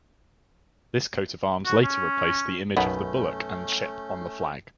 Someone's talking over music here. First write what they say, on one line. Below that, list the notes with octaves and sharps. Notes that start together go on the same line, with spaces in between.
This coat-of-arms later replaced the image of the bullock and ship on the flag.
F#4
C#4
B1 F#2 B2 A3 B3 C#4 G6